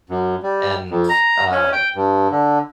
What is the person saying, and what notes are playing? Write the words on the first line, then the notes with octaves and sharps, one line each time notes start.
and, uh-
F#2
G3
F2
A#5
C#4
G5
G2
D3